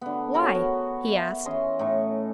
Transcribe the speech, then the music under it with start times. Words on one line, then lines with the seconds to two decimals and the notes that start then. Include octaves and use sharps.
"Why?" he asked.
0.01 D3 B3
0.34 F#4 A#4 C#5 G#5
0.55 B3
1.07 E5
1.45 E3 C#4 D#5 C6
1.79 A2 D#4 C#6